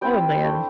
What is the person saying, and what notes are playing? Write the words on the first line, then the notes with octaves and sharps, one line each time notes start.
Oh, man.
G3 C4 E4 G5
A3 D4